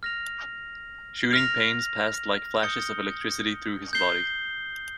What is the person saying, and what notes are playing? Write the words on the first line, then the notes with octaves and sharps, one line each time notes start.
Shooting pains passed like flashes of electricity through his body.
F6 A#6 F7
F6 A#6 F7
D#6 G6 C#7 G7
G6 C7 G7